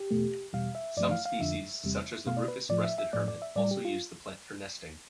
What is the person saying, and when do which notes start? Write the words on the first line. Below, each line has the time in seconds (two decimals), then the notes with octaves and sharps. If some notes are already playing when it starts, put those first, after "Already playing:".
Some species such as the rufous-breasted hermit also use the plant for nesting.
Already playing: G4
0.11 E2 B2 A3
0.53 E2 B2 G3 F5
0.75 E5
0.97 G2 F3 A3 D5
1.11 F5
1.25 F5
1.39 F2 D3 F3 E5
1.84 E2 C3 G3
2.26 B2 A3 F5
2.37 D5
2.48 B4
2.69 A2 F3 A3 D5
2.84 E5
2.98 E5
3.13 A2 F3 A3 D5
3.28 D5
3.42 E5
3.56 A2 G3 D5
3.71 G4
3.85 F4